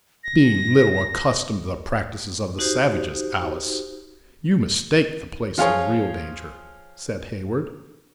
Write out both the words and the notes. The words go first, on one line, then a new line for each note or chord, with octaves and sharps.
"Being little accustomed to the practices of the savages, Alice, you mistake the place of real danger," said Heyward.
A#6
D#4 F#4 G4 C5
F3 F4 G#4 C#5